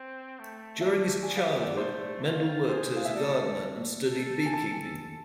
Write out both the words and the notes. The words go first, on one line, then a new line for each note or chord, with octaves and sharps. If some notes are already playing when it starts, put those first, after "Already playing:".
During his childhood, Mendel worked as a gardener and studied beekeeping.
Already playing: C4
A3
E5
D5
G#5
B3
F5
E5
D5
A3 C5
F4
G#4 C5
F5
E5
A4 D5
A4
G#5
A5